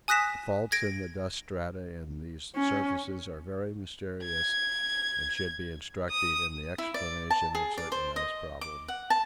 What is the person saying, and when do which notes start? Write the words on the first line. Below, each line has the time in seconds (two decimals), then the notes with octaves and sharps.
The faults in the dust strata in these surfaces are very mysterious and should be instructive in the explanation of certain ice problems.
0.08 G#5 D#6 F#6 A#6 B6 E7
0.72 G#6 A#6 D7
2.55 C#4
4.25 G#6
6.10 D#6
6.78 E4
6.94 D5
7.30 A5
7.55 G#4
7.78 D5
7.92 C5
8.16 D#5
8.61 D6
8.88 F#5
9.10 A5